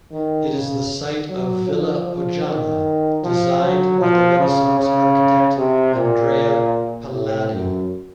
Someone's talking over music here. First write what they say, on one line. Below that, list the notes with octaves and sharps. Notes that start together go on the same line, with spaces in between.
It is the site of Villa Pojana, designed by the Renaissance architect Andrea Palladio.
D#3
C#3
F#3
F3
F3
D#3
F3
F#3
F3
C#3
C#3
C3
A#2
A2
F#2